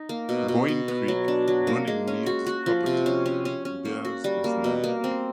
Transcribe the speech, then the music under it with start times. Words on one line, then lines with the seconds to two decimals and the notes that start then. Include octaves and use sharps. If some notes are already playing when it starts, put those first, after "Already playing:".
Boeing Creek running near this property bears his name.
Already playing: D#4
0.09 A#3
0.29 B2
0.48 B2
0.68 B2
0.88 B3
1.08 F#3
1.28 D4
1.48 F#3
1.67 A#3
1.87 G#3
2.08 C#4
2.26 F#4
2.47 F#4
2.66 F3
2.86 C3
3.06 C#4
3.26 C#4
3.45 C#4
3.65 C#4
3.85 A#3
4.05 F#4
4.24 G3
4.44 A#3
4.64 B2
4.84 A#3
5.04 C4